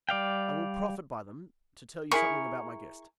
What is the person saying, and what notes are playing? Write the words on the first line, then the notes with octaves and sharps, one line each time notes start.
"I will profit by them to tell you something about my guest."
G3 D5 F5 G5
E4 G#4 A#4 C#6